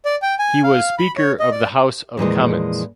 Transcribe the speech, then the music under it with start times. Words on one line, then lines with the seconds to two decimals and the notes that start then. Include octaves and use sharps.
He was Speaker of the House of Commons.
0.05 D5
0.22 G5
0.39 G#5
0.64 F5
0.98 B5
1.17 C#5
1.40 D#5
1.51 D5
2.17 F2 A#2 E3 G#3